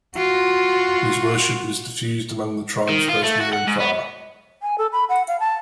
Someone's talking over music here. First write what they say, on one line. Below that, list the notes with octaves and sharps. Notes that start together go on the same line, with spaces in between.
His worship is diffused among the tribes both near and far.
F4 F#4
D#3
F4
A3
F#4
F#5
G#2
B3
G#5
A4
B5
F#5
F5
A5